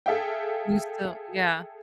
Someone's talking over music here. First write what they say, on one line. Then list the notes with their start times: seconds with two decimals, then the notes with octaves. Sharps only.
You still Yeah.
0.06 G#4 A4 E5 F5 G5